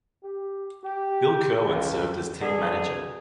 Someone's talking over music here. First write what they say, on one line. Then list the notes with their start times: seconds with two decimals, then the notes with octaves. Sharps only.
Bill Kerwin served as team manager.
0.23 G4
0.83 G4
1.64 C#2
2.42 B2 D3 C4 G#4